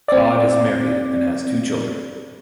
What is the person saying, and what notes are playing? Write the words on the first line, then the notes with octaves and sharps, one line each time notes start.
Codd is married and has two children.
C4 D5